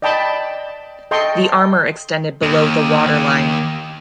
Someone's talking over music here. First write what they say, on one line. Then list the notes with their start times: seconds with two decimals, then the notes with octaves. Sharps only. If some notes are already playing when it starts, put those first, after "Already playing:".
The armour extended below the waterline.
0.02 D5 D#5 G5 A5 B5
1.11 A4 D#5 G5 C6 C#6
2.43 D#2